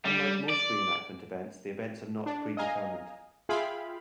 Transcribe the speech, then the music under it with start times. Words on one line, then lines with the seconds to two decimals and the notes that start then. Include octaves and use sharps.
Unlike most reenactment events, the events are not pre-determined.
0.05 G3
0.50 D5
2.26 D4
2.57 D#5 F5 G#5 A#5
3.49 F4 G#4 E5 F5 G5 B5